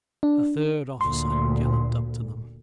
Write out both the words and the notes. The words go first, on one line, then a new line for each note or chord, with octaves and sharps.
A third officer galloped up to them.
D4
D2 A#2 C6